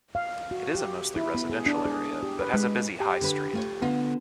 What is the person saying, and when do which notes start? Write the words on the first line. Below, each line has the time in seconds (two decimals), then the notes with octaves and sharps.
It is a mostly residential area, but has a busy high street.
0.15 F5
0.51 F#4
0.75 G4
1.16 E4
1.35 B3
1.50 G#4
1.66 D4
1.86 G#4
2.23 G4
2.39 B4
2.54 G#3
3.00 G4
3.21 D3 B4
3.53 A3 F4 C#5
3.82 D3 B3 F4 A4